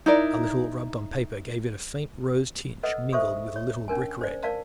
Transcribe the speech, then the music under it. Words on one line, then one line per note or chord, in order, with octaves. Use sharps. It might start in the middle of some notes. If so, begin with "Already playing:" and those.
A little rubbed on paper gave it a faint rose tinge mingled with a little brick-red.
D#4 E4 A#4 D5
A4 B4 D#5 F#5 E6
A4 C5 E5 C#6 D#6
C#5
C#4 D4 A#4 G#5
C5 D5
A#4 D5 F5 A5